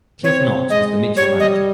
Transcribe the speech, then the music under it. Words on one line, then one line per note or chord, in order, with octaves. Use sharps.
Cliff Knox was the Mitchell manager.
C4 C#5
G#3 D#5
G3 C#5
D#5